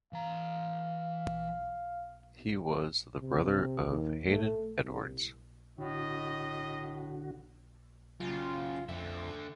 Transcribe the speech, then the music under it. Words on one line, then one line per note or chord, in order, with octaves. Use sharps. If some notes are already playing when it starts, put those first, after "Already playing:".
He was the brother of Haden Edwards.
E3 F5 A#5
C3
D#2
A3
C2
A2 D3 F#4 D#5
F#2 C#3 F4
F2 D3 E5